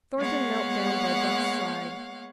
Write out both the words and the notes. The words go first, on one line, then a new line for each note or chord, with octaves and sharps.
Thornton knelt down by Buck's side.
G#3 A#3 B3 C#5 F5 F#5